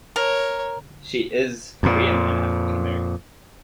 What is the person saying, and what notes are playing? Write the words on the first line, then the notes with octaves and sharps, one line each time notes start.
She is Korean and African-American.
A#4 C#5
F2 A#2